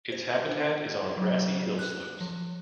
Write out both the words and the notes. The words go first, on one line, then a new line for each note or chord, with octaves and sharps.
Its habitat is on grassy hill slopes.
C5
D4
F#3
F#6
F3